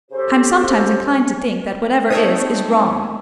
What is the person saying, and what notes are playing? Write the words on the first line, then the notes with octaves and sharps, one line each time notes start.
"I'm sometimes inclined to think, that whatever is, is wrong."
C#3 C#4 G4 A4 C5
C4 D#4 A4 C5 C#5 E5 D#6